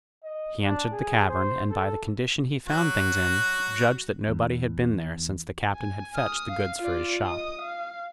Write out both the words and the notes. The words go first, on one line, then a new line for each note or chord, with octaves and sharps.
He entered the cavern and by the condition he found things in, judged that nobody had been there since the captain had fetched the goods for his shop.
D#5
D4
G#4
C5
A4
F#3 F#4
E2
G#5
D#6 F6
F5
F4 D5
D#5 D#6
F5